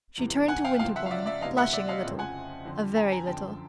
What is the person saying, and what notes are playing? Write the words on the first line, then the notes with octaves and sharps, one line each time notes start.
She turned to Winterbourne, blushing a little--a very little.
E2 C3 E3
F#5 G#5
F5 G5
C#2 C#3 F3 F5 G5
E5 F#5
F5
D5 E5
D5 E5
D2 C3 E3 D#5 F5
E5 F#5
D5 E5
D#5 F5
F2 C#3 F3
F#5 G#5
F2 D3 F3
G#5 A#5
G#5 A#5
F#2 D3 F3 G5 A5